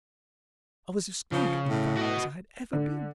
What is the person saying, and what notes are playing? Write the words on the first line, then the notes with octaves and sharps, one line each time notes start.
I was as good, in fact, as I had ever been.
C#3 F3
A2
F#4 D#5
D3